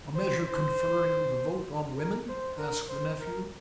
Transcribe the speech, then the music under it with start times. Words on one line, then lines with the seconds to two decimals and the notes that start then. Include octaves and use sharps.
"A measure conferring the vote on women?" asked the nephew.
0.16 C5
0.47 C5
1.98 A#4
2.29 C5
2.59 A#4
2.89 C5
3.20 A#4